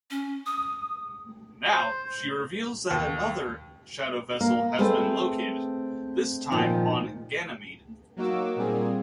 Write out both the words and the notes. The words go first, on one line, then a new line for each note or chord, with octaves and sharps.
Now, she reveals that another Shadow vessel has been located, this time on Ganymede.
C#4
D#6
C5
D#2
A#3
A3 C4 G#4 B4 C5
A#2 D#3 F3
F#3 A#3 D#4 F#4 D6 E6
A#2 G3 A#3 C4 G#4